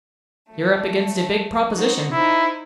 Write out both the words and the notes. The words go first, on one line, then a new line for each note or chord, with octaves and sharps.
"You're up against a big proposition."
F#3 A3
D#4 F#4 C5
D#4 E4 C5